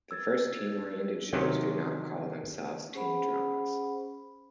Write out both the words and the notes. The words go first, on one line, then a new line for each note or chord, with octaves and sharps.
The first teen-oriented shows did not call themselves teen dramas.
E6 G#6 A6
C3 D#3 F#3 C#4
C#4 G#4 C5 F#5 B5